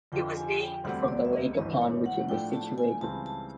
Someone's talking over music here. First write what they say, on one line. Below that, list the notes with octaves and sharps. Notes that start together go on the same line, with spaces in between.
It was named from the lake upon which it was situated.
F2 D3 F3 G5
G#5
G5
E1 D2 D3 G3 C4 F#5
D5
E5
D#5
G#1 G2 E3 D#5
C#5
F#5
A2 F3 A3 D4 G5
A5
G#5
C#2 C#3 E3 G3 C4 A5
A5